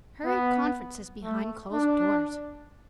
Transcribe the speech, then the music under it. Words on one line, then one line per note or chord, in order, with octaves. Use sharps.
Hurried conferences behind closed doors!
B3
A3
D4